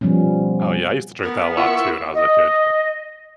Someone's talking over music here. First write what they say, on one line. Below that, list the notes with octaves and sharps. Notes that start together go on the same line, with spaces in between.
Oh, yeah, I used to drink that a lot too when I was a kid, but
B2 F3 G3 B3 C#4
B3 A#4
E4 F4 F#5 C#6
D#5